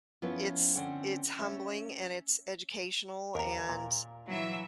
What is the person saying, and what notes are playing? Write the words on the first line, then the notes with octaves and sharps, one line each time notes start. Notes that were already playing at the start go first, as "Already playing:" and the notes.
it's it's humbling, and it's educational, and,
F3 B3 C#4 E4 B4
D3 C4 C#4 F#5
A3 C#4 E5
D#2 A#4 A#5
A#2
E3 F#3 E5